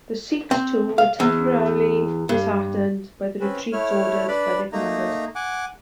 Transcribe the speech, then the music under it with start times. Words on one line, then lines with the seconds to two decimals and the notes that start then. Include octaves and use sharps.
The Sikhs too were temporarily disheartened by the retreats ordered by their commanders.
0.51 C4
0.98 F5
1.20 E2
2.29 G2
3.41 C4 C#4 B4
3.72 A3 E4 C#5 F6
4.28 D4 B4 D5 B5
4.73 A3 A#3 D#4 A#5
5.35 F#5 G#5 D6